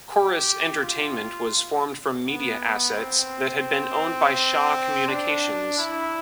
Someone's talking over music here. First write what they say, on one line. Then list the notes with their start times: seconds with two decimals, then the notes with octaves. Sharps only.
Corus Entertainment was formed from media assets that had been owned by Shaw Communications.
0.12 G4
0.83 F4
2.25 B3
2.96 C4
5.08 D4
5.78 E4